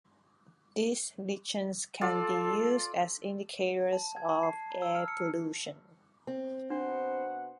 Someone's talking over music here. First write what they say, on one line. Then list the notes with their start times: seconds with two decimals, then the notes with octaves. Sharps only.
These lichens can be used as indicators of air pollution.
2.01 F4 A4 D5
3.93 A5
4.16 G#6
4.30 A5
4.43 C7
4.70 A#5
4.82 E6
4.95 F6
5.08 C#7
6.27 C4
6.70 B2 D4 C5 F#5